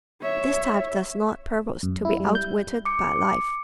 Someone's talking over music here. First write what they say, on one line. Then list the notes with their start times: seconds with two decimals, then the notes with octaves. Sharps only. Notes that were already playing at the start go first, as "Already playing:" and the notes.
This type does not purpose to be outwitted by life.
0.21 C#5 E5
1.83 F#2
2.05 E4
2.20 G3
2.35 G6
2.85 D6 C#7